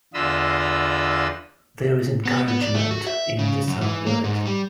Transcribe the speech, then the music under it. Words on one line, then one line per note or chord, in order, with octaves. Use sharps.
There is encouragement in the sound of it.
E2 D3 F4 D#5 B5 E6
B3
B3
D5
A3
F#4
E5
C#3
F#2
E3
A#3
G#2
G3